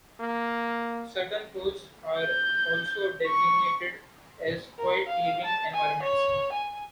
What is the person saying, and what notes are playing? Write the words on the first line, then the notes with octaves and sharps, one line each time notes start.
Certain floors are also designated as quiet living environments.
A#3
G6
C#6
A#4
F5
A5
G#5
C#5
G#5